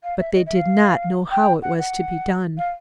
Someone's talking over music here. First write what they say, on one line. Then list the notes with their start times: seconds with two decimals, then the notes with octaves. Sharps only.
But they did not know how it was to be done.
0.03 F5
0.18 E5
0.34 D#5
0.46 E5
0.55 F5
1.30 G5
1.62 F#5
1.78 F#5
2.57 F5